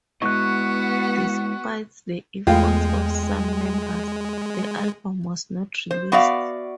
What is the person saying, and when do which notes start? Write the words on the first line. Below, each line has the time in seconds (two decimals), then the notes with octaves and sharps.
Despite the efforts of some members, the album was not released.
0.22 G#3 B3 E4 F#4 D#5 C#6 F#6
2.47 E2 G#3 A3 B3 F4 G5
5.91 C5
6.12 B3 F#4 D5 E5 F5